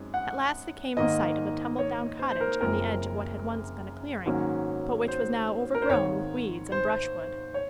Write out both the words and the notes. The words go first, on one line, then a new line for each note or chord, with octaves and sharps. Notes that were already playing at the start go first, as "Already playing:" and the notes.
At last they came in sight of a tumbled-down cottage on the edge of what had once been a clearing, but which was now overgrown with weeds and brushwood.
Already playing: F#2 G#3 C4 D#4
F#5
G#2 D#3 A#3 D#5
C#5
C5
C5
A#4
F#1 F#2 F3 C4 A#4
G#2 D#3 F#3 A#3 C#4
C5
A#4
C5
G#1 G#2 D#3 C#5
C5
C#5